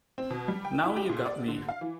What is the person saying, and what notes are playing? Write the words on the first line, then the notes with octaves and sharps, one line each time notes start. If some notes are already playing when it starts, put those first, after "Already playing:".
Now you got me.
C4
B2
G3
G5
E4
G4
A#2
D5
D3
F5
E3